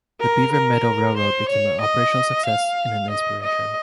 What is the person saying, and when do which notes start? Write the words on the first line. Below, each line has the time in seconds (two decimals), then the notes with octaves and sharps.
The Beaver Meadow Railroad became an operational success, and an inspiration.
0.20 A#4
0.52 A#4
1.17 C5
1.49 C#5
1.81 D#5
2.46 F5
3.10 D#5
3.43 D#5